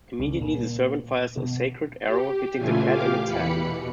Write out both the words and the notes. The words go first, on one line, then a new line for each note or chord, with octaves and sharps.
Immediately the servant fires a sacred arrow, hitting the cat in its head.
C#2 G3 C#4
A#2
B2
G4
A#2 C#3 E3 A3 F4 G#5
G4 F5 D6
E2 E3 B5 C#7
B2